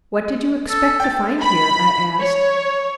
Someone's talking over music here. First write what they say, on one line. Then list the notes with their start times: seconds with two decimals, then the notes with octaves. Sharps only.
"What did you expect to find here?" I asked.
0.69 A4
1.00 G5 A6
1.40 B5
2.20 C#5